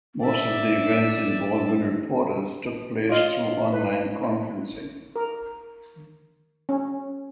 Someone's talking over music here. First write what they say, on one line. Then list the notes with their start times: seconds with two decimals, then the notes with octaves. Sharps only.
Most of the events involving reporters took place through online conferencing.
0.23 D5 E5
3.09 F4 C#5 D#5
3.73 B4
5.16 A#4
6.69 C#4